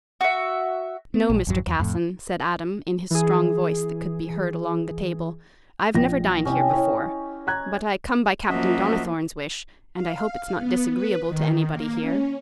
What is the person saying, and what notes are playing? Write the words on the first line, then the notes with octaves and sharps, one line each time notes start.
"No, Mr. Casson," said Adam, in his strong voice, that could be heard along the table; "I've never dined here before, but I come by Captain Donnithorne's wish, and I hope it's not disagreeable to anybody here."
F#4 E5
B3
A#1
G#1 F2 F#3
E2
F2 A2
E3 G#4
A#1 G5 A#6
C3 C#4 E4 G4 D#5
E4 C#5
A#5 F#6 G#6
F#2 F3 A#3 F#4 D#5 E5
F5
B3
B4
D#3
A#3
C#4